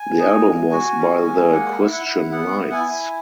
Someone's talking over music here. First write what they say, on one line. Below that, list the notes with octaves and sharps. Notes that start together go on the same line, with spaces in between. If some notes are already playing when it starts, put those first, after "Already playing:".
The album was by the Christian Lights.
Already playing: G#5
D#4
G#3
F#4
C#4
G#3
A#3 F#5
E4
F#5
E4
B3 F#5
E4
G#5
E4